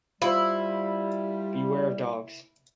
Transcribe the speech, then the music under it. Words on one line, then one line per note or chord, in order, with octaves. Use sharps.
Beware of dogs.
G3 E4 F4 C5